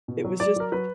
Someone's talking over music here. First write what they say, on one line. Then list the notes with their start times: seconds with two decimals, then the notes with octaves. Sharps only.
it was just
0.08 B2
0.24 F#3
0.40 F#3 D5
0.56 F#3 A#4
0.72 F#3 B4